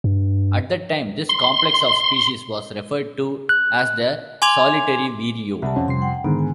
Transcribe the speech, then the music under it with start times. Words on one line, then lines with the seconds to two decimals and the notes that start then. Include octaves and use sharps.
At that time, this complex of species was referred to as the "solitary vireo".
0.04 G2
1.29 C6
3.49 F#6
4.42 G#5 C6 D6 G#6 F7
5.62 C2 F#5 A5
5.76 F2 C#4
5.88 C3 G3 C6 C7
6.02 F#5 G5
6.24 G#2 D3 D#3 B3
6.39 G#5